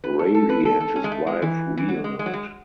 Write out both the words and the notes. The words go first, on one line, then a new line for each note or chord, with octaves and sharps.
Ravi and his wife reunite.
B4
A4
A4
B4
A4
A4
C#4
G#3
A3
G#3
E3
E3
F#3
G#3
G#3
F#3
G#3